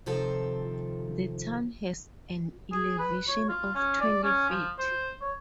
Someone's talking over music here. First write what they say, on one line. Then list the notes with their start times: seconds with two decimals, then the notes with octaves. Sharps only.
The town has an elevation of twenty feet.
0.06 C3 D#3 F3 C4 F4 A4
2.72 G#4
2.99 B4
3.28 C#5
3.49 F4
3.75 C#4
4.01 D5
4.24 C#4
4.50 F3
4.79 C5
5.22 C#5